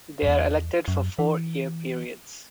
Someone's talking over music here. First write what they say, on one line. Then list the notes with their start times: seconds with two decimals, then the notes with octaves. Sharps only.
They are elected for four-year periods.
0.23 F#2
0.28 E2
0.88 F#2
1.19 E3